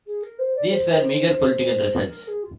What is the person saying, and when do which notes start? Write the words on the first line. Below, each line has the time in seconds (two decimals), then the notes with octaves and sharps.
These were meagre political results.
0.06 G#4
0.22 A#4
0.38 C5
0.55 D5
0.68 D5
0.71 C5
2.05 A#4
2.27 G#4
2.43 F4